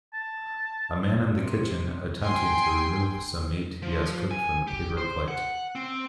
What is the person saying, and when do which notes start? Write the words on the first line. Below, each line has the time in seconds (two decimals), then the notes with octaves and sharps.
A man in the kitchen attempting to remove some meat he has cooked from the paper plate.
0.14 A5
1.35 C3
2.23 G5 G#5 C6
3.82 F3
4.31 G#5
4.67 G4
4.97 C5
5.28 F#5
5.75 C4